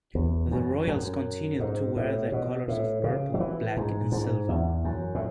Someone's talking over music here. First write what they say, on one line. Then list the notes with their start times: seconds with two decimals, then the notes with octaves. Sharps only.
The Royals continued to wear their colors of purple, black, and silver.
0.15 E2
0.51 F#2
0.87 F#2
1.60 G#2
1.96 A2
2.32 B2
2.68 A2
3.04 C#3
3.34 F#3
3.40 E3
3.77 G#2
4.12 G#2
4.49 E2
4.84 F#2
5.15 A2